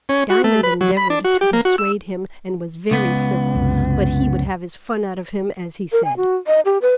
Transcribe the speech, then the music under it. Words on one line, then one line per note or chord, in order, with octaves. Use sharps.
Diamond endeavoured to persuade him, and was very civil, but he would have his fun out of him, as he said.
C#4
F#4
A3
B4
F#3
B5
D4
F#4
G4
A#3
F#4
E6
C#2 B3
C2 F#2
A#4
G#5
F#4
D#5
G4
B4